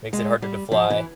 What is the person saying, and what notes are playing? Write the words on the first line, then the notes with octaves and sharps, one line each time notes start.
makes it harder to fly.
G#3
G3
F3
E3